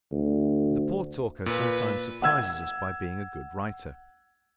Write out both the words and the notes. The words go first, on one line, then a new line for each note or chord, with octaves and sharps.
The poor talker sometimes surprises us by being a good writer.
D2
A#2 B4
F#5 E6 G#6